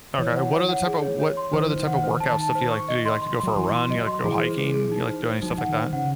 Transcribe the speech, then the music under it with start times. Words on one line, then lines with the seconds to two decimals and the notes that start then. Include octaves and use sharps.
Okay. What other type of what what other type of workout stuff do you like to do? You like to go for a run, you like to go hiking, you like doing stuff like that?
0.18 E3 C#5
0.36 F#5
0.52 C#5
0.69 F#5
0.86 G#4
1.02 C#5
1.19 C#5
1.37 C6
1.53 E3 C5
1.70 C5
1.76 D#3
1.87 F#5
1.99 D#3
2.04 C5
2.20 D#3 A5
2.37 A5
2.55 C5
2.71 C#6
2.88 D#5
3.05 C6
3.22 C6
3.39 F#3 C6
3.56 E3 C6
3.73 C6
3.90 F#3 D#5
4.07 C6
4.24 E3 G#4
4.40 C5
4.58 G#4
4.74 G#4
4.92 D#4
5.08 C5
5.24 C5
5.42 F#3 D#4
5.51 E3
5.58 D#3 F#5
5.76 C5
5.93 C#3 F#5